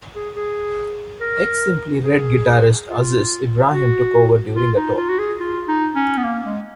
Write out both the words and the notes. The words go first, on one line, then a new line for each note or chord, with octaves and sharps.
Ex-Simply Red guitarist Aziz Ibrahim took over during the tour.
G#4
G#4
A#4
G#4
F4
F#4
F4
D#4
F4
F#4
G#4
F4
D#4
C#4
B3
A#3
G#3